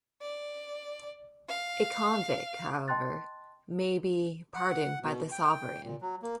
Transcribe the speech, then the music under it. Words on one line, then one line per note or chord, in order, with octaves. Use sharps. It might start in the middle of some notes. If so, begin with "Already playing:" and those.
A convict, however, may be pardoned by the Sovereign.
D5
F5
D#5 G5 A5 C6 F#6 A6
F#5
B2
G5
A#2
F#3
A#3